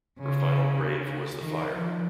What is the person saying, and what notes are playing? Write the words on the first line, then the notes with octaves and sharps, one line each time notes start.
Her final grave was the fire.
C#3
D#3
F3